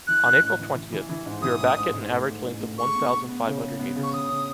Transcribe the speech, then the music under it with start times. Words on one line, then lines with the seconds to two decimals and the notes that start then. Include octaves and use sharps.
On April twentieth, we were back at an average length of one thousand five hundred meters.
0.07 E3 F#6
0.24 E3
0.41 A1
0.59 E3
0.76 E3
0.92 E3
1.09 E3
1.26 G#2
1.42 E3 D#6
1.60 A1
1.76 G#2
1.94 G#2
2.10 A3
2.28 G#2
2.44 A1
2.60 A3
2.78 G#3 C#6
2.95 B3
3.12 B3
3.29 B3
3.45 C#3
3.62 C#3
3.79 B3
3.96 C#3
4.03 C#6
4.13 C#3 D#6
4.29 C#3